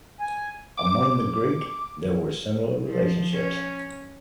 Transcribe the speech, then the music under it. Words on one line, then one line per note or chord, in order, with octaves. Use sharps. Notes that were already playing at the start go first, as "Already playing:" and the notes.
Among the Greek, there were similar relationships.
G#5
D6
F3
C#4